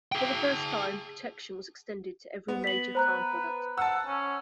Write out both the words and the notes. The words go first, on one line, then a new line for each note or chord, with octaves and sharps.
For the first time protection was extended to every major farm product.
G#4 G5
B3
B6 F#7
B4 C5 A#5 F#6
F#5 A5 E6
C#4